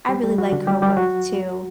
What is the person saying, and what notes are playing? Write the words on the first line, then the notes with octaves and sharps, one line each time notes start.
I really like her work too.
G3 G4
G3 G4
F#3 F#4
D3 D4
G3 G4
G3 G4
F#3 F#4